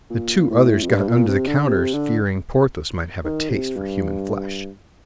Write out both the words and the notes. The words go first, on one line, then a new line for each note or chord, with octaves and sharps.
The two others got under the counters, fearing Porthos might have a taste for human flesh.
A#2
A2
F2
G2
A#2
C3
D3
C3
D3
D#3
C3
G2